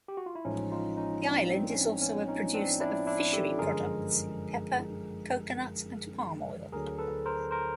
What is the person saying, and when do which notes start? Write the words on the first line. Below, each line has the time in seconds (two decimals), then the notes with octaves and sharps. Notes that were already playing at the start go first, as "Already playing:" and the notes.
The island is also a producer of fishery products, pepper, coconut, and palm oil.
0.08 G4
0.17 F#4
0.26 F4
0.35 E4
0.45 A1 A2 F3 G#3 C#4 D#4
0.72 D#4 F4
0.97 C#4 D#4
1.24 C4 D4
1.50 C4
1.71 C#4
1.76 C4
2.01 B3 C#4
2.28 C#4 D#4
2.54 C4 D4
2.80 D4 E4
3.07 D4 E4
3.33 G4 A4
3.59 G1 F#2 D3 F3 G#3 G#4 A#4
6.72 D2 D3 F#3 G#4 A#4
6.98 A4 B4
7.26 A#4 C5
7.51 A#4 C5